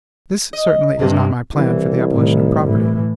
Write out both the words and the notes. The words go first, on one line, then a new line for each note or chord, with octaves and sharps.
This certainly is not my plan for the abolition of property.
D#5
G2 C3 A#3
C2 E3
A2 D#3
A2 E3